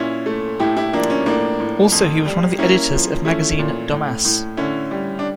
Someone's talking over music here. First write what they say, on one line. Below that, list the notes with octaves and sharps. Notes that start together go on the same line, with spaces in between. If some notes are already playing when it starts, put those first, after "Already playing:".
Also he was one of the editors of magazine "Domas".
Already playing: A#2 C#4 E4
A3
A2 E4 G4
E4 G4
F3 A#3 D4
C#4
A2 A#3 D4
A2
F2
G3
A#3 C#4 E4
F3
A3 C#4 E4
A#2
A2
A2
D3 C#4 E4
G3
D4